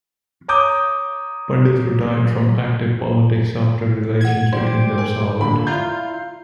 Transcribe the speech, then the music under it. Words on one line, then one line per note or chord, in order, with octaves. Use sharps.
Pandit retired from active politics after relations between them soured.
C#5 A#5 D6 D#6 G6
E3 G#4 F#5 G#6
G3 D#4 F#4 C5 D5 G5 D6
A#4 G#5
D3 A#3 D4 F4 B5
E4 F4 D5 F5 A#5 G6